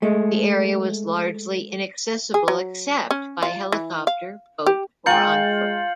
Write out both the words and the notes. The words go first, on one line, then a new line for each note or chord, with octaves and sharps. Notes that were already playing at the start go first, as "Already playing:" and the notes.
The area was largely inaccessible except by helicopter, boat or on foot.
G#3 A3
G#4
F#3
C#4
F4
E3
F5
G4
G#3 F4 G5 G#5 A#5 G6 C#7 F#7